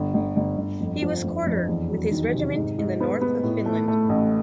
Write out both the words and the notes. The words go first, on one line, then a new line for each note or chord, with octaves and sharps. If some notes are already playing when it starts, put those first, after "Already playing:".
He was quartered with his regiment in the north of Finland.
Already playing: G1 D3
G1
G1
G1
F2
F3
F2
F2
E2
F#3
D#3
C3
G#2
G#2
B3
B3
A2
A3
A3
A1